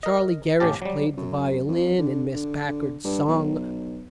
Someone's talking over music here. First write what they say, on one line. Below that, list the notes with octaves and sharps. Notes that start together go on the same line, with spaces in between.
Charlie Gerish played the violin and Miss Packard sung.
A#4 D#5
A1 C#4 G4 A5
F#3 G3
F#2
F2
D3
D3
G2
B1